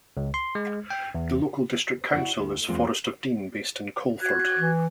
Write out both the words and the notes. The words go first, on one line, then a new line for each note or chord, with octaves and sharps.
The local district council is Forest of Dean, based in Coleford.
C#2
C6
G#3
G5
E2
E4 F#4 D5 F#5
D2
E2 G#3 A#3 C4 F4
F#4 F#6 G#6
E3